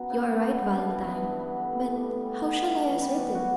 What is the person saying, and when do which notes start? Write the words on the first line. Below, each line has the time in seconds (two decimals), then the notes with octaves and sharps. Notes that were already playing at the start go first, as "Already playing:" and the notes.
"You are right, Valentine; but how shall I ascertain?"
Already playing: F#2 F#3 B3
0.10 C#3
0.26 G3
0.42 B3
0.59 C#3
0.75 D4
0.91 E3
1.08 B3
1.23 G2
1.40 B3
1.56 D3
1.73 G3
1.89 A2
2.05 A2
2.21 G3
2.37 B3
2.54 G2
2.70 C#4
2.87 E3
3.02 G3
3.18 B2
3.35 F#4